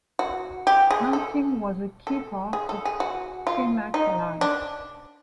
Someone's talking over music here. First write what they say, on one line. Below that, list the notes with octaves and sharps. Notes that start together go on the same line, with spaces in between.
Hunting was a key part of Kimak life.
F#4
G4
G#4
A4
A4
G#4
A4
G#4
F#4
F4
D#4
D4